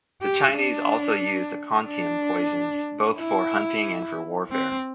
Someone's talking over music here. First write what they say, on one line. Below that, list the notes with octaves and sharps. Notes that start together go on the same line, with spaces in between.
The Chinese also used "Aconitum" poisons both for hunting and for warfare.
G4
D4
D4
E4
C4